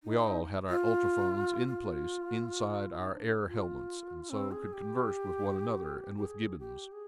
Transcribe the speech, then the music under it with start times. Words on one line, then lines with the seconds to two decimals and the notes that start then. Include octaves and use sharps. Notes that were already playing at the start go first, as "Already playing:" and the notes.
We all had our ultrophones in place inside our air helmets, and so could converse with one another and with Gibbons.
0.04 D#4
0.70 F4
1.68 F4
2.99 D#4
3.15 D4
3.48 F4
4.30 C4
4.52 G#4
4.73 G4
6.17 G4
6.26 G#4
6.59 G4
6.92 G#4